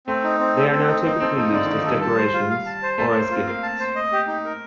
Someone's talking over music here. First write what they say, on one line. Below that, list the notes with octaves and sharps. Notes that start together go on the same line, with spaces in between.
They are now typically used as decorations, or as gifts.
A3 C4
D#4
C4
A4
C4
D#4
A#3 D#4
C4 A4
F3 D#4
D3 D5
D#3
D#4
F3
G3 A4
A5
C5
F4
F5
A5
C5
A3 A5
A#3
C5
A#3
C4 F4
A#3 F5
A5
C5
D#5
G4
D#4
A#4